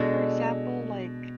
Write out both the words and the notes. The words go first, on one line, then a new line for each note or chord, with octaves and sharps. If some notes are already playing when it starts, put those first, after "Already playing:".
For example, like
Already playing: B2 G#3 D4 A4